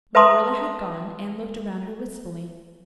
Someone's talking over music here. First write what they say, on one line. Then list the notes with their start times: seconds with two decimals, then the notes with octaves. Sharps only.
When Marilla had gone Anne looked around her wistfully.
0.15 B4 E5 A5 A#5 C6 D#6